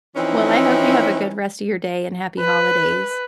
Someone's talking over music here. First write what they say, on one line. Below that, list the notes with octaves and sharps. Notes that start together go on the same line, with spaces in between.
Well, I hope you have a good rest of your day, and happy holidays.
E3 F3 C4 C#4 D#4 E4
B4